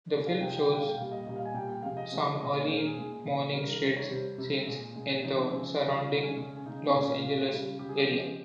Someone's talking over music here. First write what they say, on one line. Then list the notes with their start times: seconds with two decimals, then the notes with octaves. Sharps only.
The film shows some early morning street scenes in the surrounding Los Angeles area.
0.13 C3 D#3 G#3
0.27 F5
0.40 C3 D#3 G#3 G5
0.55 G5
0.69 A#2 G3 G5
0.78 F5
0.88 G5
0.97 A#2 G3 F5
1.12 D#5
1.26 A#2 G3 D#5
1.36 F5
1.45 G#5
1.54 A#2 G3 G5
1.69 G5
1.82 C3 F3 G#3 F5
1.97 D#5
2.12 C3 F3 G#3
2.39 A#2 G#3 D#5
2.54 C#5
2.68 A#2 G#3 C5
2.77 A#4
2.87 G#4
2.96 A#2 G#3
3.25 A#2 G#3
3.53 C3 D#3 G3 A#4
3.68 A#4
3.82 C3 D#3 G3 C5
3.96 C#5
4.10 C3 G3 C5
4.38 C3 G3
4.67 A#2 G#3
4.96 A#2 G#3
5.24 C#3 F3 G#3 D#4
5.38 C4
5.51 C#3 F3 G#3 C4
5.80 C3 G3 C#4
5.95 F4
6.09 C3 G3 D#4
6.23 C#4
6.37 C#3 G#3 C#4
6.56 C#4
6.65 C#3 G#3 D#4
6.89 C4
6.94 A#2 G#3 C#4
7.08 F4
7.22 A#2 G#3
7.50 C#3 G3
7.79 C#3 G3 G4
7.89 G#4
7.98 G4
8.08 C#3 F3 G#3